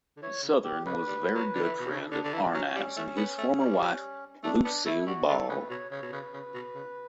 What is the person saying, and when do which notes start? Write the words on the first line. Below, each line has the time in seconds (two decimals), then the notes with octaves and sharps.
Sothern was a very good friend of Arnaz and his former wife Lucille Ball.
0.17 D3
0.22 E3 C#5
0.43 C#3
0.64 B2 G4
0.86 C#3 B4
1.07 G3
1.35 F#3
1.55 D3
1.63 E3
1.79 B2
1.90 C#3 A4
2.12 D3 D4
2.24 D3
2.32 E3 D4
2.54 F#3 C#4
2.76 G3
2.96 A3
3.17 B3
3.38 A3
3.59 G3
4.43 A3 D4
4.64 B3 D4
4.86 A3 E4
5.07 G3 F#4
5.28 D3 A4
5.49 C#3 B4
5.70 B2 C#5
5.92 C#3 C#5
6.02 B2
6.12 C#3 B4
6.34 C#3
6.55 B2
6.75 C#3